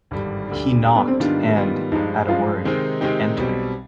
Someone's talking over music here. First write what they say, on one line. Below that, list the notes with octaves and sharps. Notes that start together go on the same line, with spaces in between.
He knocked and, at a word, entered.
G#1 G2 D3 G3
D2 D3 G3 D4
D2 D3 G3 D4
B3
C4
G#2 D#3 G3 B3 D4 F4
G#2 D#3 G3 B3 F4
G2 F3 G#3 D#4
G2 F3 G#3 F4
C3 D#3 G#3 C4 D#4
C3 D#3 G#3 C4 D#4 G4
B1 B2 G3 C4